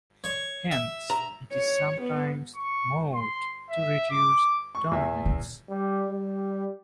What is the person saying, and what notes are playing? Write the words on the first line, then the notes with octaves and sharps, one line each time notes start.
Hence, it is sometimes mowed to reduce dominance.
C#5
E5
A#5
C#5
B3
C#6
C6
E5
D6
C#6
E2 E5
A#2 C#3
G3
G3